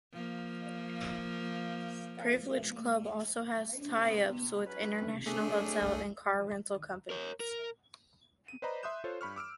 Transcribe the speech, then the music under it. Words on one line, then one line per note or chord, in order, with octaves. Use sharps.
Privilege Club also has tie-ups with international hotel and car rental companies.
F3 A#3
C3
F#3 C#4 B4
A3 D4 G#4
A#4 C#5
A#4
D#7
B4 C5 D5 D#5 A#5 B5
E5 C6 D#6 F#6 G6 E7
F4 A4 C5 C#5
G2 B5 C#6 F6
D6 E6 F6 D7